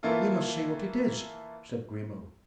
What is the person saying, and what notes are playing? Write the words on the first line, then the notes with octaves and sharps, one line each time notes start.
"We must see what it is," said Grimaud.
E3 A3 A#3 F4 A4